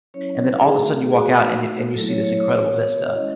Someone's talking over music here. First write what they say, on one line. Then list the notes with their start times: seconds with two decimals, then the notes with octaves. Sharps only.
and then all of sudden you walk out and you and you see this incredible vista.
0.14 F#3 C#4 E4 C#5
0.44 B4
0.59 G#4
0.74 A3 D#4 F#4 A4
1.04 G#4
1.19 F#4
1.34 A3 D#4 F#4
1.94 F#3 A3 E4 A4
2.09 C#5
2.24 C#5
2.39 C#5
2.53 B3 F#4
3.13 G#3 C#4 E4 D#5